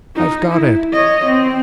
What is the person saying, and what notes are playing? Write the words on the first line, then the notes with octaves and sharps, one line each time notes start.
I've got it!
D#4
E4
C#5 D#5
C4